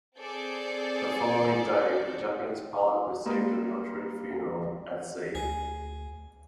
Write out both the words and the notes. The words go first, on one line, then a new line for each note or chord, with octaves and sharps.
The following day, the Japanese pilot received a military funeral at sea.
C4 G#4 A4 D5 G6
G3 G#3 A#3
D2 G#4